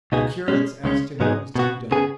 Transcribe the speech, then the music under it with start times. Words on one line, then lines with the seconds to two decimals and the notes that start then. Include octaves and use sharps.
The curates asked him what was to be done.
0.12 C#2 B2 B3 D#4 G#4
0.48 B2 G#3 C#4
0.84 C#2 C#3 G#3 C#4
1.20 G#2 F#3 B3 D#4 G#4
1.55 B2 B3 F#4
1.91 C#3 B3 G#4